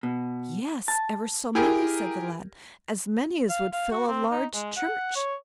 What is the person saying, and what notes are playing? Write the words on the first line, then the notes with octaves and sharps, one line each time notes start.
'Yes, ever so many', said the lad, 'as many as would fill a large church.'
B2
A5
E4 G4 G#4 A#4 G5 G#5
F5
F5
F#4
C4
D#4
G#3
F#5
C#5